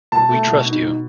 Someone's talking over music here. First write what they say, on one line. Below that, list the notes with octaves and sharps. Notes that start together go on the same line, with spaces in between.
We trust you.
B2 A5
A3
B2
D#4
B2